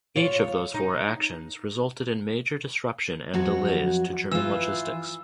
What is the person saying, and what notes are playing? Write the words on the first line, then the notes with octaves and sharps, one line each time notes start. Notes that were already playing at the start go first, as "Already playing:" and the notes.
Each of those four actions resulted in major disruption and delays to German logistics.
F4 C#5
D#4
F2 F#3 F#4
E3 F4 E6 E7